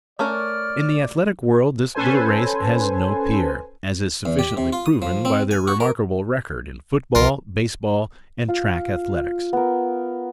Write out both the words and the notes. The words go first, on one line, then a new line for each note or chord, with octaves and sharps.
In the athletic world this little race has no peer, as is sufficiently proven by their remarkable record in football, baseball, and track athletics.
A3 C#4 A#4 D5 F6
C#4 A4 B4 C5 G#5
E2
G4
C3
F4
D#6
F3
C4
G#5
F#4
A#4
C2 F3 F4 A#4
F4
B3 A#4